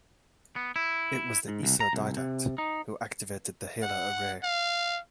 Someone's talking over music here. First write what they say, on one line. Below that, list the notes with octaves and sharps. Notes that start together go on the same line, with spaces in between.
It was the IsoDidact who activated the Halo Array.
B3
E4
G#2
C2
A#5
C2
C3
D#4
F#5
F5